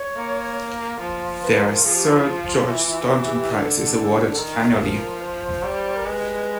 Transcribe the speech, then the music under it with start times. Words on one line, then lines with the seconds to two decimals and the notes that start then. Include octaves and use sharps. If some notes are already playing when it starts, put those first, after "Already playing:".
Their Sir George Staunton prize is awarded annually.
Already playing: C#5
0.16 A#3
1.00 F3
1.42 B4
1.64 A#4
1.84 F3 G#4
1.95 G4
2.07 D#4
2.17 E4
2.27 F4
2.69 E3
3.11 F#4
3.27 G#4
3.32 G4
3.53 D3 A4
4.30 A4
4.37 D#3 A#4
4.79 F3
5.21 C5
5.64 G3
5.96 A#4
6.05 G#3 B4